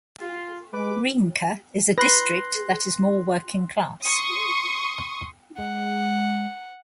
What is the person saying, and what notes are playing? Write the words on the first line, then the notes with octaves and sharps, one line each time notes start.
Riemke is a district that is more working class.
F4
G#3 B4 D6
B4 C6 F#6 A#6
C6 C#6 D#6
G#3 F#5